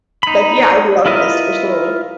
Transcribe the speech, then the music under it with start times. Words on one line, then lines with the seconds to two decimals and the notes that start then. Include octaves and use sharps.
Like, yeah, I'd love this for sure.
0.23 D#4 B5
1.06 E4 F4 A#4 B4 D#5